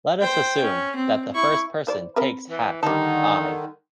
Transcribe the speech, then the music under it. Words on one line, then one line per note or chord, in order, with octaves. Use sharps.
Let us assume that the first person takes hat "i".
C5 G5
C#4
C4
E4 C#6
E3 C5 D5
C4 A#4 B4
E3
D3 D#3 G3 D#4 A5